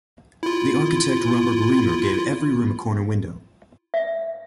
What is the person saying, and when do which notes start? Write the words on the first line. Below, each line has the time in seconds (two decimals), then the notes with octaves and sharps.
The architect Robert Reamer gave every room a corner window.
0.43 E4 F4
3.94 E5